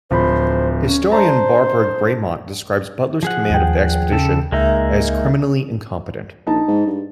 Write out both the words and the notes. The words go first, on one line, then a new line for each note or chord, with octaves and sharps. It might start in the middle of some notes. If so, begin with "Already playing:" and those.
Historian Barbara Graymont describes Butler's command of the expedition as "criminally incompetent".
D1 F3 C5 B5
C#4
D4 C5 A5 A#5
F3 G#4 F#5
D#2 G5
C#3 A4
C#2 G#3 A#3 D#4 E5
A#1 D#4 A5
G#2
G2